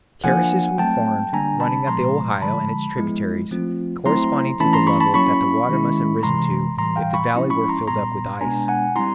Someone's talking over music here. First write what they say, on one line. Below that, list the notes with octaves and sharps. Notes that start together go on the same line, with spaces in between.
Terraces were formed running up the Ohio and its tributaries corresponding to the level that the water must have risen to if the valley were filled up with ice.
F3 A#3 D4 F#5 G#5
F#3 A3 C4 G5 A5
D3 G3 A#3 D4 G#5 A#5
A5 B5
A#2 F3 G#3 B3 A#5 C6
D3 F3 G#3 A5 B5
F3 G#3 B3 E4
F3 A3 C4 F4
F#3 A3 C4 E4 A#5 C6
E3 A3 C#4 E4 A5 B5
A#5 C6
B5 C#6
A5 B5
F#3 A#3 C#4 E4 B5 C#6
D#3 G#3 C#4 E4
C3 E3 G#3 A#5 C6
A2 E3 G3 A#5 C6
F5 G5
B5 C#6
F3 G#3 C#4 E4
B5 C#6
A#5 C6
A#2 G3 B3 A#5 C6
B2 G#3 B3 D4 G#5 A#5
F#5 G#5
G3 C4 E4 A#5 C6